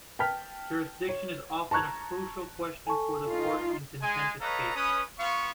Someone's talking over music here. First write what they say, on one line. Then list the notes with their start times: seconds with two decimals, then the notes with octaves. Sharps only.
Jurisdiction is often a crucial question for the Court in contentious cases.
0.19 G5 A5 F6 B6
1.09 C#5
1.71 A5 A#5 C#6 F#6 G#6
2.87 A4 G#5 A5 C#6
3.28 D#4 F4
4.02 G#3 G#5
4.41 A4 B4 C#5 D#5 F5 A#5
4.76 C#4 B4 D#6
5.19 B3 F4 F5 C#6